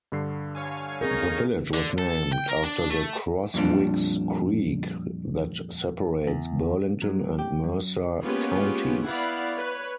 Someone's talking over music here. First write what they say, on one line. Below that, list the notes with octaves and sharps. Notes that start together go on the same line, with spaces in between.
The village was named after the Crosswicks Creek that separates Burlington and Mercer counties.
G2 D3 C7
C#5 F5 G#5
C4 D#4 G#4 A#4
D3
A4
G5
A#4
D4
A3
F2 A#2 G3 D4
E2
F#3
G4
F#2
G#3 A#3 B3 C#4 F4 G4
B3 E4 D5 F5 F#5 B5
B4 C#5